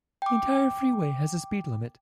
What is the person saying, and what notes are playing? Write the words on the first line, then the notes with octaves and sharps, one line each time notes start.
The entire freeway has a speed limit.
G5 D6